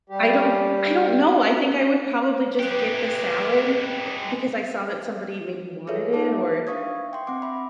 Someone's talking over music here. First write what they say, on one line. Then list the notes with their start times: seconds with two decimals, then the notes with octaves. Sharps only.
I don't I don't know, I think I would probably just get the salad, eh, because I saw that somebody maybe wanted it or
0.09 G3 G4
2.59 G#3 G4 B4
5.87 F4 G#4 A4 B4 C#5 E5
6.13 D#4 C5 A5 D6
6.67 D4 E5 F5 C#6 D#6 G#6
7.13 G5 C6
7.27 C4 F#5 D6
7.42 E5 B5